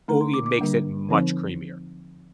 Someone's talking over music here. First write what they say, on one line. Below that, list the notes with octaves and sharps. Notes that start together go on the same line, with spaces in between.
ooh it makes it much creamier.
D3 A3 D#4 A#5
C6
D6
D6
D3 G3 A#3 D4
D3 F3 C4 D#4